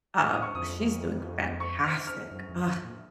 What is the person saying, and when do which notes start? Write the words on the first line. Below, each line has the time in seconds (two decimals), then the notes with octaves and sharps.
um, she's doing fantastic, ugh.
0.19 A2 F6
0.31 D#6
0.42 C#6
0.55 F2 D#6
1.60 C#6
1.84 F6
2.07 F6
2.31 F#2
2.49 F2
2.67 F#2
2.84 A#2